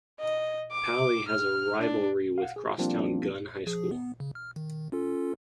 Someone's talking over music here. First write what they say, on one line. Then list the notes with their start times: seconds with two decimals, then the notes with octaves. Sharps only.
Paly has a rivalry with crosstown Gunn High School.
0.20 D#5
0.72 D6
1.29 F6
1.80 D4
2.38 F5 F#5
2.56 G#4
2.78 F3 G3 A#3 C4 D4 F4
3.67 F3 G#4
3.91 B3
4.20 C#3
4.35 F6
4.56 D#3
4.92 C#4 F4 A4